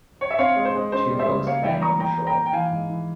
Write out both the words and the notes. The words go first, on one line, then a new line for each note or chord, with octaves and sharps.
Two dogs playing on the shore.
C#5
E5
C4 C#5 F5
G#3
C5
G#3
C#4 C5
G3
C5 E5
C#3
A#3 C#5 F5
E3 E5 G5
A#3 A#5 C#6
E3 G5 A#5
A#3
G5 A#5
A#3
G5
E3 F5 G#5
G#2
E3